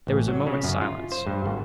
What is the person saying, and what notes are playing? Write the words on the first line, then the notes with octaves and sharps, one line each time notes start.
There was a moment's silence.
A1
F#3
C#3
F#2
F4
C5
G2
G#1